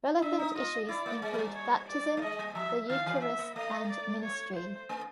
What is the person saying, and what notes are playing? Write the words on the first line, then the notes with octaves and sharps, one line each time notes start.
Relevant issues include Baptism, the Eucharist and Ministry.
D4 E5
D#4
F4 D#5
E4 D5
A#3
G#3
F#3
G3
C#5
D5
A3
G#3 D#5
G3
F3 E5
D#3 F5
E3
E5
A#3
A3 D#5
D5
C#5
C5
A3